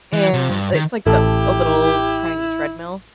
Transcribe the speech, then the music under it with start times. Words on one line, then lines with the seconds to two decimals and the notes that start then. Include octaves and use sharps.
and it's like the a little, tiny treadmill.
0.13 E3
0.34 C3
0.49 G2
0.74 D#3
1.07 A1 E4 G4 A4